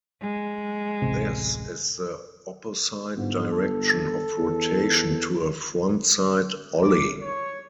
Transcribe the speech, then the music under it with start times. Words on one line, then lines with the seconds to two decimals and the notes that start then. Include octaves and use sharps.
This is the opposite direction of rotation to a frontside ollie.
0.22 G#3
1.02 D1 A1 C3
3.16 G1 G#2
3.52 A4
4.39 E2
6.82 D6
7.20 C#5